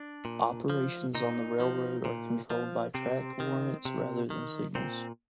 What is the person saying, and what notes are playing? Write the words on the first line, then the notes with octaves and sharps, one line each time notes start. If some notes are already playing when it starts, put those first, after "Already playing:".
Operations on the railroad are controlled by track warrants rather than signals.
Already playing: D4
A#2
F3
A#2 D#4
F3
A#2
F3
C3 C4
D#3
C3
D#3
A#2 C4